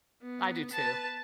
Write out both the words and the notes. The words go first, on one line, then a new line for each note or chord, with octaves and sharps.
I do too.
B3
B4 A5